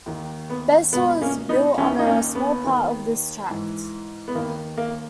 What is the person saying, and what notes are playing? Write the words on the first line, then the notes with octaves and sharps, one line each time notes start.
Basehor is built on a small part of this tract.
D#2 D#3
B3
C#2 B2 B3
A#3 C#4
B3 D#4
D#2 D#3 C#4 E4
D#4
A#3 C#4
B3
D#2 D#3
G#2 E3
B3
D#2 D#3 A#3
A#3